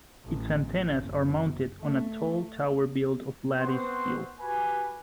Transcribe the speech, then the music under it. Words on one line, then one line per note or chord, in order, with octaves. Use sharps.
Its antennas are mounted on a tall tower built of lattice steel.
A1
F#1
A3
B3 C4 C5 F#5 C6 C#6
F#4 G4 B4 G#5